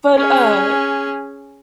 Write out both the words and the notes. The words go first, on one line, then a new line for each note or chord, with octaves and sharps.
But, uh,
C#4 G#4